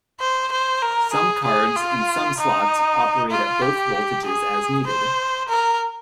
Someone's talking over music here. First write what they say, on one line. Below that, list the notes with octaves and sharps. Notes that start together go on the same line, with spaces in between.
Some cards and some slots operate at both voltages as needed.
C5
C5
A#4
G#4
G#4
F4
D#4
F4
G4
G#4
C5
A#4